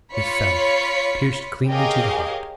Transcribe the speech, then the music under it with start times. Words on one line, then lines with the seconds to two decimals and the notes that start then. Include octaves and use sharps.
It fell, pierced cleanly to the heart.
0.12 F4 C#5 B5 B6 C#7
1.68 G4 G#4 A#4 C#5 D#5 F5